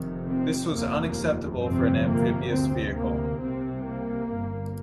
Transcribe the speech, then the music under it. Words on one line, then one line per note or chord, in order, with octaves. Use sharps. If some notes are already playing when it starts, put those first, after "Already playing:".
This was unacceptable for an amphibious vehicle.
Already playing: F1 F2 C3 D#3
C4
F1 D#2 A#3
G1 F2 C3 C4
A#3
D2 C3 C4
A#3
C2 C3 C4
A#3
G1 G2